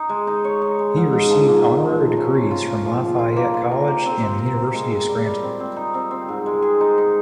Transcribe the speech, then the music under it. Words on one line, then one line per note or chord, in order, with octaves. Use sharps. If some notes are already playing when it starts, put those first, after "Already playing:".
He has received honorary degrees from Lafayette College and the University of Scranton.
Already playing: D#4
G#3
D#4
C#5
D#4
G#3
G#2
G#2
F3
A#3
G#2
F3
A#3
C#4
F4
F4
F4
F3
F3
F4
A#3
F4
A#4
G4
C4
C4
A#4
C4
G#3
A#4
G3
G3
C4
C4
D#4
C4
C4
G#2
G#3
G#4
D#4
D#4